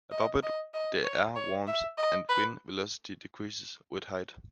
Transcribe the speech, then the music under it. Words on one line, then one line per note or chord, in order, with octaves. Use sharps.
Above it, the air warms and wind velocity decreases with height.
D#5
D#5
D#5
C#5
C#5
E5
D#5
B4